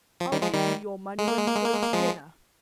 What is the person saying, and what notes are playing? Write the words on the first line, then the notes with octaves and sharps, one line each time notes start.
I'll give you your money when you go to dinner.
F3
D#3 G3
F3 G#3
D#3 G3
G#3
A#3
G#3
A#3
G#3
A#3
G#3
A#3
F3 G#3